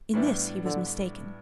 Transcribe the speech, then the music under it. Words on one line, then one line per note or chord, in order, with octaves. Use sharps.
In this he was mistaken.
A2 E3 G3 B3 D4
D3